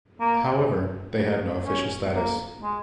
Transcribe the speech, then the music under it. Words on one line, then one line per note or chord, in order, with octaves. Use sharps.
However, they have no official status.
A#3
C#4
A#3
G#3